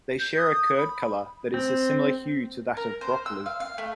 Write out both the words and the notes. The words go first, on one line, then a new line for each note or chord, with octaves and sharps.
They share a curd color that is a similar hue to that of broccoli.
G6
D#6
B5
C4
A#4
C5
E6
F5
F5
A3